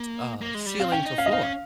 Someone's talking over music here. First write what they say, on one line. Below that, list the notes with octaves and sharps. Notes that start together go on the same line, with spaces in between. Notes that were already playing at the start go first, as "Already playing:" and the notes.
uh, ceiling to floor.
Already playing: A#3
A#3
G#3
G3
C4 F5
C#4 G5
D#4
C#4 F5
D#5
D#4 F5
C#4